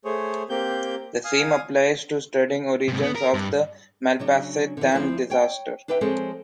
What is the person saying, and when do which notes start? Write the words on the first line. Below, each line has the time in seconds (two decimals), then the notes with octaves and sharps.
The same applies to studying origins of the Malpasset dam disaster.
0.05 A3 G#4 C5 C#5
0.49 A#3 C4 G4 G6
1.24 F5 G#5 D#6
2.88 G#2 C3
3.03 B3
3.15 A#4
3.34 G2
4.19 C#3 F#3 D4
4.77 D3 E3
4.94 D2 F3 C4 E4 C5 F5
5.30 C#5 G5
5.88 D4 G4 B4 E5 G5
6.01 F3 G#3 C4 G#4 A4 C#5